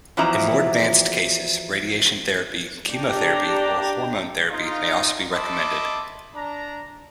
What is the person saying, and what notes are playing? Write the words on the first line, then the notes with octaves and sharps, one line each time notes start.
In more advanced cases, radiation therapy, chemotherapy or hormone therapy may also be recommended.
E2 F3 F#3 D#4 E4 A#5
D4 G4 G5 A#5
D#4 F4
D#5 E5 A5 B5 C6 D6
D4 A#5